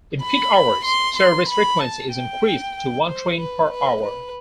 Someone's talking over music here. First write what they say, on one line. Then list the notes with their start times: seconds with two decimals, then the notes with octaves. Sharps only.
In peak hours, service frequency is increased to one train per hour.
0.23 B5
0.85 C6
1.17 C6
1.49 B5
1.80 A5
2.12 G5
3.07 C5
3.39 B4
3.70 B4
4.02 B4